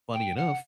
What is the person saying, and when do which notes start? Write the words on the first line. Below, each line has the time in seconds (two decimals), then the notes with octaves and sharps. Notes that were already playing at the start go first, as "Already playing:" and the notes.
funny enough
0.14 G5
0.37 F#5